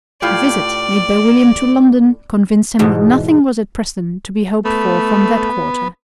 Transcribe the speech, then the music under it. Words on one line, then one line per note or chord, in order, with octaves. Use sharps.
A visit made by William to London convinced him that nothing was at present to be hoped for from that quarter.
A2 F4 G4 D5
E2 G#2 B2
A3 B3